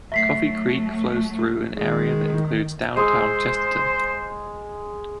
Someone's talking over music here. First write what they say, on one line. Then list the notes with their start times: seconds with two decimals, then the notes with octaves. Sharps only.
Coffee Creek flows through an area that includes downtown Chesterton.
0.12 F#3 A3 E5 B6 C7
1.76 D#3 G#3
2.97 G#3 C5 E6